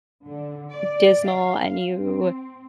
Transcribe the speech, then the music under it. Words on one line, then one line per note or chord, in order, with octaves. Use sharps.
dismal and you
D3
D5
F5
C4